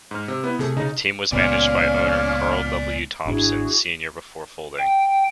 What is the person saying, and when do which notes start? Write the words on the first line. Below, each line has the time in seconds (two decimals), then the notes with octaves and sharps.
The team was managed by owner Carl W. Thompson, Senior before folding.
0.11 G#2 F6
0.28 C3
0.44 B3 E4
0.59 C3 A3 G#4
0.77 C#3 D#4 A#5
1.32 C#2 A#2 B3 C#4 D5 F5 G#5 F6
3.26 G#1 D4 E4 F#4 G#4
4.78 G5